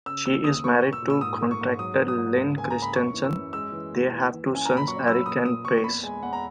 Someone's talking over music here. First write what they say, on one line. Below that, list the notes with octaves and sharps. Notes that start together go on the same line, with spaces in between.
She is married to contractor Len Kristensen; they have two sons, Eric and Bryce.
C#3 E6
D#2 E6
D#2 D#6
A#3 C#6
A#2
E6
A#2
E6
G#2 D#6
A#3
C#6
G#2
F#3 D#6
F#3
D#6
G#2
C#2
A#3 G#5
A#5
A#3
B5
F#2 C#6
E3
E6
F#2
G#3 E6
E3
D#2
E3
E3
F#2
G#5
A#2 A#5
B5
F#3 C#6
F#3 E6
A#2 D#6
A#2 D#6
A#2 C#6
C#6
E2 B5
G#3 G#5
E2 F#5
A#5